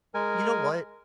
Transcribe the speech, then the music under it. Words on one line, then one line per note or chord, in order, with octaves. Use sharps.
"You know what?
G#3 A#4 G#5